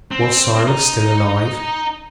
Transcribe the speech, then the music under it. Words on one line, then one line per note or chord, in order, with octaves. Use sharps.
Was Cyrus still alive?
C4
D#4